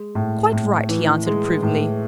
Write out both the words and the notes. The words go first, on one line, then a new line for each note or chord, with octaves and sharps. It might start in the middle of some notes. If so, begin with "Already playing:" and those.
'Quite right,' he answered, approvingly.
Already playing: G#3
A2
A2
E3
G#3
A2